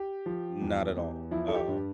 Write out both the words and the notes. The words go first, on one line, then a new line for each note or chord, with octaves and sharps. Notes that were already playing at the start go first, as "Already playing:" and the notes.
Not at all, um
Already playing: G4
F3
E2
E2
F3 E4
A4
G4
G2